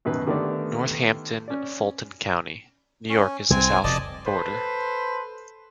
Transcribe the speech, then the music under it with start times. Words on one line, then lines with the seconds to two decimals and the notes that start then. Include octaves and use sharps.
Northampton, Fulton County, New York is the south border.
0.05 F#2 B2 D#3 B4
0.27 D3 D#3 A3 B3 G4 D5
1.48 C#4 D5
3.10 C#4
3.50 C2 C4 G#5
3.84 F1 F2 B2 D5 D#5 A5
4.26 A4 B4 C5